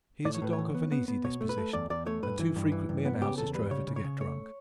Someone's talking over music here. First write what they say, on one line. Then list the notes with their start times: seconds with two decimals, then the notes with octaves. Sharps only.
He is a dog of an easy disposition, and too frequently allows this drover to get drunk.
0.25 A2 D5
0.35 C#5
0.42 A2 B4
0.53 C#5
0.58 E3
0.75 B3
0.92 B3
1.08 B3
1.24 B2 C#5
1.41 A3
1.49 B4
1.58 A3
1.73 E2 D5
1.90 E2 D5
2.06 A3 C#5
2.23 G2 B4
2.39 E3
2.56 G2
2.72 E3
2.89 G2
3.05 B3
3.21 C#3 G4
3.38 E2 A4
3.55 G3 B4
3.71 C#3 C#5
3.87 C#3
3.96 C#5
4.04 C#3
4.20 A3 C#5